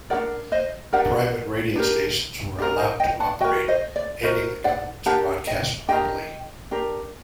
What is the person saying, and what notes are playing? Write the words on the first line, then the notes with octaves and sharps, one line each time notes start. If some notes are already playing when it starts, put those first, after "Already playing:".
Private radio stations were allowed to operate, ending the government's broadcast monopoly.
D4 G4 A#4 D5 F#5
C5 D#5
D4 G4 A#4 D5 F#5
D4 G4 A#4
D4 G4 A#4 D5
C5 D#5
D#5 G5
F#5 A5
F#4 A#4 D#5 G5
C5 D#5
D5
F#4 A#4 C5 D#5
D5 F#5
D4 G4 A#4 F#5 A5
D#5 G5
D4 G4 A#4 D#5 G5
D4 G4 A#4